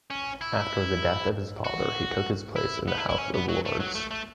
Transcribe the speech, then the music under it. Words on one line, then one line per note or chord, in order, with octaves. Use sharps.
After the death of his father, he took his place in the House of Lords.
C#4
E4
F#4
E4
B3
E4
E4
C#4
B3
F#3
A3
F#3
A3
A3